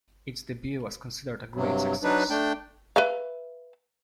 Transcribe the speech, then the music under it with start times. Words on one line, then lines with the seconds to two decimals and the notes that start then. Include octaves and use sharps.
Its debut was considered a great success.
1.55 G2 C3 F#3
2.03 F#3 D4 D#4 B4
2.30 A3 D4 G5
2.96 B4 E5 F5